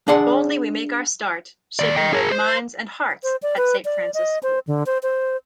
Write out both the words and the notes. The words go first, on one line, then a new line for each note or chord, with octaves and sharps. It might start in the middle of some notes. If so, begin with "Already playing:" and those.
Boldly we make our start shaping both mind and hearts at Saint Francis School.
D4 G#4 D5 F#5 C6
D#2 D5
D#5 G5
G#4 A#4
C5
C5
D5
B4
D5
D#5
C5
D3
C5
C5